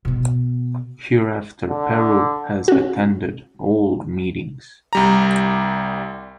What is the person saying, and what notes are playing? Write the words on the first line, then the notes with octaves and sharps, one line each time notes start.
Hereafter Peru has attended all meetings.
B2 B3
D3
C#4 F#4
C2 G3 A#5